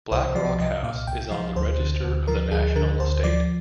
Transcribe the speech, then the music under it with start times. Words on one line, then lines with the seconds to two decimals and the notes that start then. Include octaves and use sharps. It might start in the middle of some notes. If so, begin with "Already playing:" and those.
Black Rock House is on the Register of the National Estate.
0.11 C2 C5
0.35 F3 D5
0.60 C2 D#5
0.83 A#2 F5
1.07 C2 G5
1.31 F3 F5
1.56 D2 C5
1.79 D3
2.04 D2
2.27 F3 A#4
2.51 D2 G#4
2.76 D3 A#4
3.00 D2 C5
3.24 F3 D5